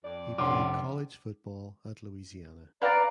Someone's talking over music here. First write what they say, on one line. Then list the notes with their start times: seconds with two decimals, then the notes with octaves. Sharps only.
He played college football at Louisiana.
0.05 F2 D5
0.38 F1 D3 C#4 A5 C6 D6
2.82 B4 D5 F5 A#5